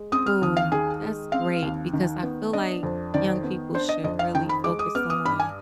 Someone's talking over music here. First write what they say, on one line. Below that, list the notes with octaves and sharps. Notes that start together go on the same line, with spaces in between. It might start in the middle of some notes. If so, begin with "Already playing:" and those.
Ooh, that's great because I feel like, young people should really focus on
Already playing: G#3
C4 D#6
F6
D#2 D#6
F5
D#3 G#4
G#3
C4 F5
D#2
D#3
B3
D4 D#5
F2
D#3 D5
B3
D4 C5
D#5
F2 D#5
F5
D#3 G5
B5
G#3 D6
D#6
B3 F6
D#6
G2 B5
G#5